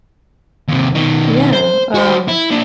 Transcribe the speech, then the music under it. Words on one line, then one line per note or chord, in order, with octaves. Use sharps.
Yeah, um,
D#2 C3
B2 D#3
C5
F#4 C5
E4
A#3 D4